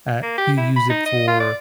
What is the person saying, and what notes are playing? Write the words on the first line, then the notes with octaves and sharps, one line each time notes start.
uh, you use it for
A#3
G4
E4
B5
D#4
D#5
F4
D5